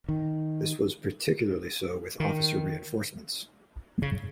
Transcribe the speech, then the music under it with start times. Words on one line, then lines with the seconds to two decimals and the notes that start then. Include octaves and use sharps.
This was particularly so with Officer reinforcements.
0.09 D#3
2.20 D#3
4.02 C#3